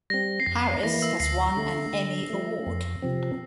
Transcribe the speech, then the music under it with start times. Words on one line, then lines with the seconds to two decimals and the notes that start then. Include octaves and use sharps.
Harris has won an Emmy Award.
0.10 G3 C4 A#6
0.40 C7
0.46 F2 A#6
0.65 C7
0.83 E3 A#3 E4 A#6
1.02 E6
1.20 D2 C7
1.56 D3 A3
1.93 D3
2.30 F3 A3
2.67 F2
3.02 C3 F3 C4